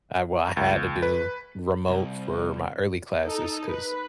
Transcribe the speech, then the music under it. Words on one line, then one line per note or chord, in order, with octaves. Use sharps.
I well, I had to do remote for my early classes 'cause
C#2
B4
C2
D#4 A4
B4